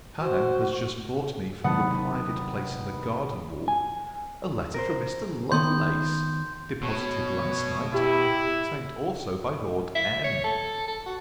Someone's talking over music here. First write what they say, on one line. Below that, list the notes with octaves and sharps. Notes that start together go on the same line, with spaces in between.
Hannah has just brought me from the private place in the garden-wall, a letter from Mr. Lovelace, deposited last night, signed also by Lord M.
F#4 C5
F#1 D#2 C3 B3 F#5 A5
G#5
A#4 C5
D#3 B3 C6 G6
B2 C#5
E4 G4
E5
C#5
A4
A4
F#4